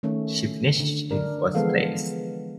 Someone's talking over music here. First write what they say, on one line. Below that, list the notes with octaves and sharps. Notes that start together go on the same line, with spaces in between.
She finished in fourth place.
D#3 A3 C#4
D3
D3 D4 A#4
E3 F3 G#3 B3 A4 F5